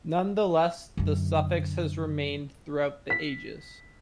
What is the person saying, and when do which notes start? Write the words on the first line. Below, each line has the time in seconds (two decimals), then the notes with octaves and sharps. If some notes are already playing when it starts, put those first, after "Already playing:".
Nonetheless, the suffix has remained throughout the ages.
0.97 F#2 D3
3.10 B6